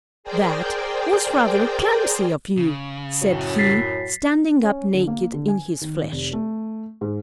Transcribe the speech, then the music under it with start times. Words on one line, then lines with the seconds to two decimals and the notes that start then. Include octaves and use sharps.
'That was rather clumsy of you,' said he, standing up naked in his flesh.
0.24 G#4 A#4 C5 D5 G5
2.57 C#3
3.22 F#2 A2 F#3
3.58 A6 B6 C7
4.63 C#4
4.94 D3
5.07 A#3
5.34 D3
5.48 G#5
5.81 D#3
6.12 F1
6.33 A3
7.01 G#2